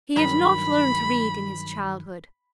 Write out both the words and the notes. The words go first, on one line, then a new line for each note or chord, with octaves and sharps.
He had not learned to read in his childhood.
G2 D#3 F#3 B5